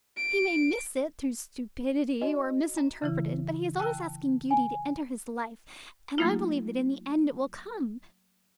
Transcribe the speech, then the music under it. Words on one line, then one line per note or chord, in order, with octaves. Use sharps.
He may miss it through stupidity, or misinterpret it, but he is always asking beauty to enter his life, and I believe that in the end it will come.
D7
D#4 F#4 D#5
A#5
C#3 E3 E4
G5 A5 E6 F#6
G#5
F#3 A3 A#3 D#4 F4